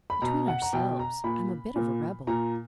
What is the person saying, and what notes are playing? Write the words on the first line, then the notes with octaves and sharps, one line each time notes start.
Between ourselves, I am a bit of a rebel.'
B5
B2 A#5
F#5
A#5
B2 G5
A#5
A#2 B5
A#2
A#2 A#5